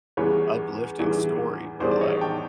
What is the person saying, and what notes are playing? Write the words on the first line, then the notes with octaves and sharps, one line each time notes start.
uplifting story, but, like,
E2 C#3 E3 G3 B4 C#5
E2 C#3 E3 G3
E2 C#3 E3 G3 C5 D5
D5
C#5 D#5
G5 A5